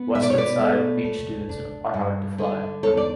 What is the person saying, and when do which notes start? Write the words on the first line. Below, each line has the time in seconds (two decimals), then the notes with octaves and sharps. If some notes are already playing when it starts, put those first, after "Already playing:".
Western side - beach dunes are hard to fly.
Already playing: B3
0.15 B2 E5
0.23 D5
0.30 C#5
0.38 B4 D5
0.60 A3
1.04 A3
1.49 D4
1.94 G2
2.38 D3
2.83 E2 A4 C#5
2.97 D5